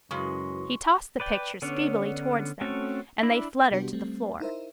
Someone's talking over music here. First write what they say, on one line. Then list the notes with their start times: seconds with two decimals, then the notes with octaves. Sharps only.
He tossed the pictures feebly toward them, and they fluttered to the floor.
0.11 F#2 C#3 G#3 E4 F#4 B4 C6 C#6
1.20 B4 D5 G5
1.62 D3 B3 C#4 D4 C#5
2.61 A3 C4 C#4 F#4 A4
3.23 D4 E4 B5
3.71 C3 G3 B3 D4 F#4 G4
3.93 G3 A3 C4
4.40 D#4 E4 A#4 C5 E5